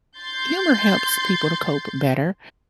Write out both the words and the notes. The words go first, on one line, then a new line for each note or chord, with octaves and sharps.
humor helps people to cope better,
C6 G6 A6 C7